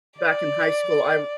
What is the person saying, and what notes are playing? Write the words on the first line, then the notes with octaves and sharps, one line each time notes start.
back in high school, I
D5